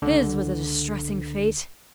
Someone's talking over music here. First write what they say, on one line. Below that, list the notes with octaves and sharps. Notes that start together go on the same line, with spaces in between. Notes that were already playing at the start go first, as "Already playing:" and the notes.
His was a distressing fate.
C#2 D3